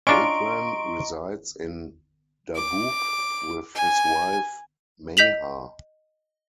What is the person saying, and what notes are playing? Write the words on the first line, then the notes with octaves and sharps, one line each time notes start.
Badran resides in Dabouq with his wife, Maha.
C#4 D4 F4 D#5 A#5 C6 C#6 D7
D6
G#5
D#5 G6 B6 F7 F#7